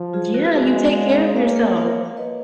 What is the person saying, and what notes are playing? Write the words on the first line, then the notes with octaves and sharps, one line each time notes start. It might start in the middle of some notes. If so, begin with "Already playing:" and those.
D yeah, you take care of yourself.
Already playing: F3
F4 G#4
F#4 A#4
B4
G#3 F#4 A#4
C#5 F5
A#3 C#5 F5
A#4 C#5
C#5 F5
F5
B4 D#5